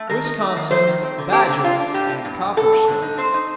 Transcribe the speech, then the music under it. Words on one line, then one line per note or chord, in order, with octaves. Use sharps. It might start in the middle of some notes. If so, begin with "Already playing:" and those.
Wisconsin, Badger and Copper State.
Already playing: A3
D#3 A#4
D#4
A3
D#3
A3 C5
D#3
C4
D3
C4 G4
D3
D4 F4
D4
A2 G4
A2
G2
G2
G2 A4
G2
D3
D#4
C4 C5
D#4